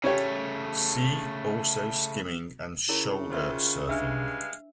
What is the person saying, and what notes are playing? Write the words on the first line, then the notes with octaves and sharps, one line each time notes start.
See also skimming and shoulder surfing.
C#3 A3 C#4 G4 C#5
C#3 E4 A#4 C#5
D#3 F#3 F4 C5 E5
G2 G#3 D4 E5 F5 E6